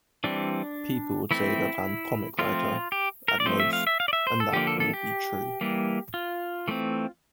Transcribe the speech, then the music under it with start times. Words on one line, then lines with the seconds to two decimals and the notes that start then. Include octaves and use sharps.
People would say that I'm comic writer, at most, and that will be true.
0.24 E3 G3 C4 D4
1.31 E3 A3 C4 E4
2.39 F3 A3 C4 F4
2.92 G4
3.28 A#4
3.40 D5
3.46 F3 A3 C4 C5
3.60 E5
3.73 F5
3.87 E5
4.00 F5
4.08 D5
4.13 E5
4.27 C5
4.40 A4
4.53 D3 F3 A#3 G4
4.67 A4
4.80 A4
4.93 G4
5.61 E3 G3 A#3
6.14 F4
6.68 E3 A3 C4